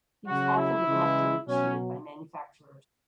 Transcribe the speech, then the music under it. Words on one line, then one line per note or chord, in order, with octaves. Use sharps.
He was often neglected or cheated by manufacturers.
C#3 F#3 F#4
E4
C#3 E3 G#3
B2 F#3 C#4